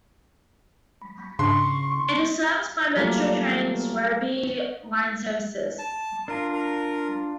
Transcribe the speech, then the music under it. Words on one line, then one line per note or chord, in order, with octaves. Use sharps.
It is serviced by Metro Trains' Werribee line services.
G#2 C#3 D4 C6 C#6
F#3 G3 A3 A#3 F4
A5
D4 F4 A#4
A#4